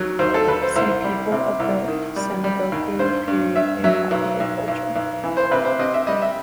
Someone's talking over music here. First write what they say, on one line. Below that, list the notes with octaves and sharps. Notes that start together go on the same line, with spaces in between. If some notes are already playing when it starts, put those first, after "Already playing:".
See People of the Sengoku period in popular culture.
Already playing: D#2 F#3
D#2 C5
A4
D#2 B4
C5
C2 C5
G3
C3
C2
D#3
G3
G3
D#2
G2 C5
G2
G2 E5
F#3 E5
B1
B1
B1
B1
E3
C5
C3 B4
C5
C3 D#5
E5
G3 D#5
E5